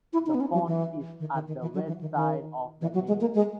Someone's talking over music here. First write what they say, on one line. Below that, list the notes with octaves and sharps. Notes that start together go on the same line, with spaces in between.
The font is at the west side of the nave.
E4
D#4
B3
C#4
F#3
E3
D#3
D#3
D#3
E3
F#3
E3
D#3
D#3
E3
F#3
G#3
A#3
G#3